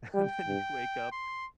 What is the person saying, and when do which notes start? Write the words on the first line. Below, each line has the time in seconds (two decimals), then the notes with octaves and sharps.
and then you wake up,
0.14 G3 G5
0.47 G2
1.12 C6